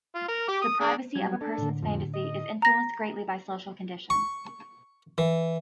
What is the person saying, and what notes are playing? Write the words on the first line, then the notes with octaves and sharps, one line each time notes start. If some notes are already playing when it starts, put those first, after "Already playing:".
The privacy of a person's fantasy is influenced greatly by social conditions.
F4
A#4
G4 D6
D#6
D4 G#4
F#3 G3 G#6
D4 A4
A2 D3
F2
D#5
A#5 A#6
C#6
E3